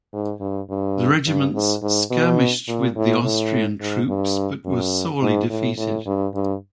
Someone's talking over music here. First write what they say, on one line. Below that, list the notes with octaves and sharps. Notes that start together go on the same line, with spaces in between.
The regiments skirmished with the Austrian troops but were sorely defeated.
G#2
G2
G2
G2
G#2
G#2
B2
A#2
A2
A2
G#2
G2
F#2
G#2
A2
A2
G2
G2